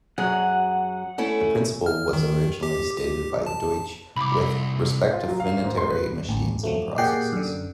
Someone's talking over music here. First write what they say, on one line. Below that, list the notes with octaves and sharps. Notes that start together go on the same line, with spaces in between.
The principle was originally stated by Deutsch with respect to finitary machines and processes.
F#2 F#3 G#4 F#5
A3 C#4 E4
F6
D#3
G4
G4
A5
C2 B5 D6
F4
F#3
F5
G#2
C6
B4
A1 D2
F3 F#3 A3
A#2 G4 G#4 F#5 G5 C7
F#2 D3